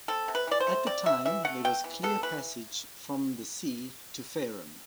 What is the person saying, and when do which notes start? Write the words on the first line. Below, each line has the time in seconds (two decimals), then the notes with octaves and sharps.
At the time there was clear passage from the sea to Farum.
0.08 C4 A4
0.28 C3
0.35 B4
0.47 E3 D5
0.60 C5
0.67 A3
0.87 C4 D5
1.06 C3 E5
1.25 E3 E5
1.45 A3 F#5
1.65 B3 G5
1.84 E3
2.03 B3 A4
2.23 E3 B4